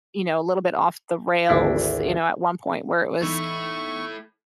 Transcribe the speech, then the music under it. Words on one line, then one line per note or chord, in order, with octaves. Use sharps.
you know, a little bit off the rails, you know, at one point, where it was
G#1 D2 D4 E4
E3 A3 B3 D#4 E4 C#6